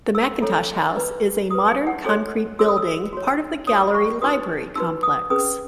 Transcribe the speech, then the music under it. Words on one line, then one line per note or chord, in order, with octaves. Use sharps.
The Mackintosh House is a modern concrete building, part of the gallery-library complex.
E6
E4 A4 C#5
E4 B4
E4 B4 D#6
G#5
F#5
F#4 A4 C#5 G#5
F#4 A4 C#5 E6
D#6
E6
F#4 C#5
F#4 C#5 D#6
C#6
D#4 F#4 B4 D#6
D#4 F#4 B4 E6
D#6
C#4 G#4 B4 D#6